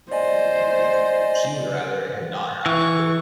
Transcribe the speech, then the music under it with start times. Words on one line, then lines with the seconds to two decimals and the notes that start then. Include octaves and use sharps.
She would rather it had not happened.
0.12 C5 D5 D#5 G#5
2.66 E3 C#6